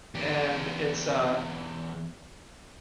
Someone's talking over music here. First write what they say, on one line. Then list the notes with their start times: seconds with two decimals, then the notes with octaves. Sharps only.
And it's a
0.15 E2 G4